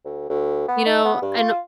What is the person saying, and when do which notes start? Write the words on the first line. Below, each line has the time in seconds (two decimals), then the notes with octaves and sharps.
you know, and
0.05 D2
0.30 D2
0.68 B3
0.86 D#4
1.05 B3
1.22 G2
1.38 F4